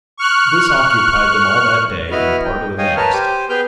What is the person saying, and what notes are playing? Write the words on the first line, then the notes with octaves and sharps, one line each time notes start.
This occupied them all that day, and part of the next.
C#6 F6 F#6
B3 E4 F#4 D#5 B5 F6
G5
C#5 D#5 F5 G5 G#5 D#6
A#4 B4 C#5 A5 A#5 F6
G4 C5 G#5 D6
B3 G#4 B4 G5 F6 G6